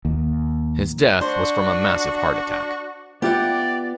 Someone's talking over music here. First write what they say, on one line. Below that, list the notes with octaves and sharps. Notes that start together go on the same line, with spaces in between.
His death was from a massive heart attack.
D#2
D4 F#4 C5
B3 F4 G4 D5 E5 F#5